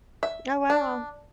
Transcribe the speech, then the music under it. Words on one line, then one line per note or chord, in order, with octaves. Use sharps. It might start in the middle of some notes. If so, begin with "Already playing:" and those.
Oh, wow.
E5
D4